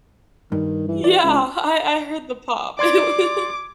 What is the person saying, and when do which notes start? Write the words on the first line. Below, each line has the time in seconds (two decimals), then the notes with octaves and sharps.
Yeah, I I heard the pop. It was
0.52 G2 D#3
0.88 E3
1.04 D5 E5
1.23 C#2
2.79 D5 C6 D6 G#6